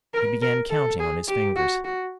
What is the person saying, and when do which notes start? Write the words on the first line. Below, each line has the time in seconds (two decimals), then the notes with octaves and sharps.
He began counting on his fingers.
0.14 A#4
0.42 A#4
0.70 A4
0.99 G#4
1.28 G4
1.56 F#4
1.85 F#4